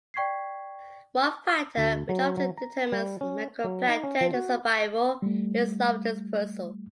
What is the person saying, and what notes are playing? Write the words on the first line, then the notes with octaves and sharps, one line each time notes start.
One factor which often determines meroplankton survival is larval dispersal.
D5 G5 C#6 G#6 B6 C7
D2
F#3
F#3
A#5
G3
C#4
F#3
D#4
C#4
F3
F#4
G3 A3